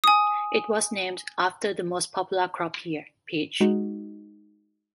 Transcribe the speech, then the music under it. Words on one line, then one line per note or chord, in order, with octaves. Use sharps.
It was named after the most popular crop here, peach.
G#5 D#6
G#3 D#4 F#4